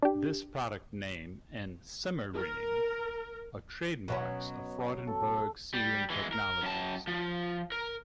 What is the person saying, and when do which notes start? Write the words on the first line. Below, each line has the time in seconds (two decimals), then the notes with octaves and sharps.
This product name and "Simmer-Ring" are trademarks of Freudenberg Sealing Technologies.
0.02 D4 G4
2.35 A#4
4.08 B2 F#3 C#4
5.07 A4
5.73 G3
6.10 E3 G#3
6.33 A#4
6.63 F#2 A5
7.07 F3
7.72 A#4